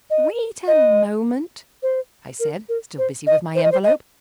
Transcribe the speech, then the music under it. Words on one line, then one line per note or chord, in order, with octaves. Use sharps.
"Wait a moment," I said, still busy with my envelope.
D#5
D#5
C5
A#4
A#4
C5
D#5
C5
D#5
C5
D#5